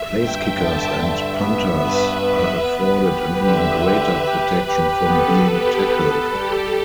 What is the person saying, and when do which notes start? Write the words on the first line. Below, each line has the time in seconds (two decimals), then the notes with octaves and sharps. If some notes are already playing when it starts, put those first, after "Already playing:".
Place kickers and punters are afforded an even greater protection from being tackled.
Already playing: E5
0.16 G2 G5
0.57 D3 A5
0.99 G2 E5
1.40 B3
1.80 G2 B4
2.22 B3
2.63 B3 B4
3.04 G4
3.45 D3 E5
3.86 G4 B4
4.27 G4 B4
4.68 G4
5.08 B3 A4
5.50 B3 G4
5.90 A4 B4
6.32 G3 G4